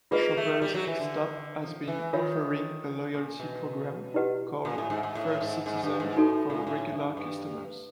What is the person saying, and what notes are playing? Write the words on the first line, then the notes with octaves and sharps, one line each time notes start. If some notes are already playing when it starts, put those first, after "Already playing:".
Shopper's Stop has been offering a loyalty programme called First Citizen for regular customers.
A#3 F4 G#4 B4 D#5
A3
G3
F#3
E3
D3
F3
E3
D#3 F4 A#4 C#5 E5
A#2
B2
E4 G4 B4 D#5 F#5
A#2
A2
G#2
G#2
A2
G#2
G#2
G2
G#2
A2 D#4 F#4 A4
A2
A#2
A2
G2
G2